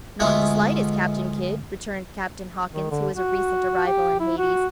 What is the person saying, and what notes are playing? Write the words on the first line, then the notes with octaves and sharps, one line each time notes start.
"Not the slightest, Captain Kidd," returned Captain Hawkins, who was a recent arrival in Hades.
D2 G#3 B3 C#4 F4 E5
D#3
D3
F#4
G4
E4
F#4